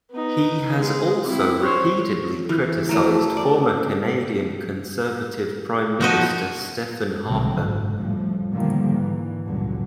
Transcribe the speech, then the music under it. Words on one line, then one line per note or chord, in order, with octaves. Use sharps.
He has also repeatedly criticized former Canadian Conservative Prime Minister Stephen Harper.
B3 D#4
G#3 G#4
C4 E4
C5 C#5
E3
F#3 A3 A#4
D5
F3 D#4 F#4 D#5
A#1 B2 D3 F#3 G#3 C4
F#1 G#2
F2 A2 F3 G3
A#2 D3 D#3 F3 G3 A#3
G#2 E3
C#2 G2 A#2 D3 F#3